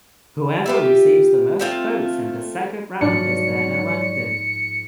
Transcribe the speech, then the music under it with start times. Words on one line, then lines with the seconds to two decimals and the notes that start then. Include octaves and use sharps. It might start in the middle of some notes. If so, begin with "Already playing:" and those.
Whoever receives the most votes in the second round is then elected.
0.66 F4 G4 E5
1.59 A3 C4 F4
3.01 G#2 F3 F#3 D4 C#5 D5 C#7